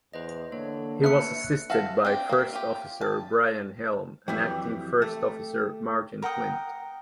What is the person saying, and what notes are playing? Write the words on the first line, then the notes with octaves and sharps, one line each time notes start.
He was assisted by first officer Brian Helm and acting first officer Martin Flint.
E2 B4 C5 D#5
D3 A#3 C#5
A3 B4 E5 F#6 C#7
F#4 E5 F5 A5
C4 D4 G4
A#3 E5
F4 G4
A5
F2 E3 F#3 G4 E5
A3
A#4 F#5 G5 D#6